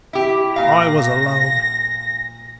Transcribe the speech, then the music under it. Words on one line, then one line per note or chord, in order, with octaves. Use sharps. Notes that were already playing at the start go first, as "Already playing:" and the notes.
I was alone.
E4 G4
A#2 F5 A#6